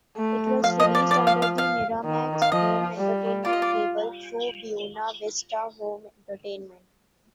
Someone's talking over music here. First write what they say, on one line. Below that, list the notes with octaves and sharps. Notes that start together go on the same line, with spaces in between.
It was released under the Miramax Home Entertainment label through Buena Vista Home Entertainment.
A3
F3 F5
D#5
D5
D5
F5
F5
F5
D#3
F5
F3 D#5
G3
F4 D5
D#5
D5